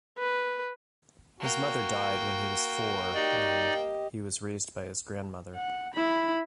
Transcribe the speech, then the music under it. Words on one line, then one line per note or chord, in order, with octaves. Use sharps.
His mother died when he was four and he was raised by his grandmother.
B4
A#3 F#4 G5
D#4 G4 D5 D#5
F#5
E4 B5